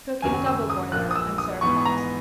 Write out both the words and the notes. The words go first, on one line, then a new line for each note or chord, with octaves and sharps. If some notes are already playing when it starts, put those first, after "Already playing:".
Cook in a double boiler and serve hot.
G#1 F#2 C#3 F#3 C#4 G#5
E6
D#6
A#1 A#2 A#3 F#6
D#6
E6
D#6
G#2 E3 B3 C#6
A#5